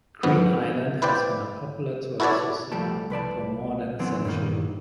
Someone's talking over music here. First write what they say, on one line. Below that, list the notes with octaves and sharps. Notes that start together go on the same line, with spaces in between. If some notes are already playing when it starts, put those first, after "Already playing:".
Green Island has been a popular tourist resort for more than a century.
F2 G#2 B3
E4 B4 C5 D5 G5
E4 F#4 A4 B4 C#5 D5
C2 F3 G3 A3 G4 A5
C2 B4 D5 A5
D3 E3 F#3 B3 C4
G2 A#2 D#3 E3 A#3